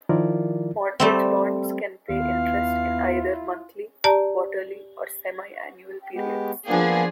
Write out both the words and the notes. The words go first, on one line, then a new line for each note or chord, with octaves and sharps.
Mortgage bonds can pay interest in either monthly, quarterly or semiannual periods.
D#3 F3 E4 F4 A#4 D5
G3 A3 C4
D#2 B3 E4 F4 F5
G4 D5 A5 A#5
G#3 B3 G4
F3 A#3 B3 D4 G#4